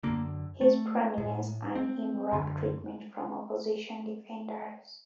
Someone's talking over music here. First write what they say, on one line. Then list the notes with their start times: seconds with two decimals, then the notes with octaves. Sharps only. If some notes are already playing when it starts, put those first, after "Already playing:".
His prominence earned him rough treatment from opposition defenders.
0.03 F#2 D3 A#3
0.61 A3
1.18 A2
1.75 C4
2.32 F#2 D3